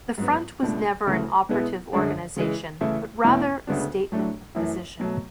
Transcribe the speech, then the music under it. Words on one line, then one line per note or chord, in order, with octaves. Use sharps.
The Front was never an operative organization, but rather a statement of position.
G#2 F#3 B3
C#2 B2 A3 D4
D2 C#3 E3 A3
B2 G#3 B3 E4
F#2 D3 G#3 D4
C#3 E3 G#3
C#3 E3 A3 E4
E2 B2 A3 C#4 E4
D2 C#3 G#3 B3 D4
A2 F#3 A3 D4
F#2 E3 A3 E4
B2 F#3 A3